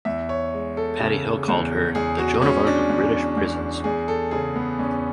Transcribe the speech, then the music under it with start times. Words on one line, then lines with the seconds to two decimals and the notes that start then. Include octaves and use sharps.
Paddy Hill called her "the Joan of Arc of British prisons".
0.05 E2 E5
0.29 C#5
0.54 G#3
0.77 A4
1.00 C#3
1.48 E2
1.95 E2 G#4
2.19 F#4
2.42 G#3 C#4
2.67 D4
2.89 E2
3.37 E2
3.84 E2 G#4
4.08 A4
4.31 C#3 G#4
4.56 B3
4.79 E2 C#4